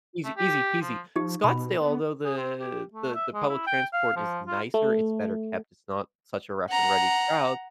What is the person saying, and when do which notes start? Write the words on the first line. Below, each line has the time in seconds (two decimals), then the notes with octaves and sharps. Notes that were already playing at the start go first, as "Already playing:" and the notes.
easy easy peasy. Scottsdale, although the the the public transport is nicer, it's better kept, it's not such a rough and ready route,
0.24 A3
0.37 G4
0.82 F3
1.16 F3 D#4 G4
1.44 B2 B5
1.81 B3
2.25 G#4
2.37 C4
2.60 G4
2.94 A3
3.15 E5
3.34 G#3
3.49 E4
3.67 G5
3.93 F5
4.16 F3
4.47 F4
4.74 A3
6.70 F#5 A#5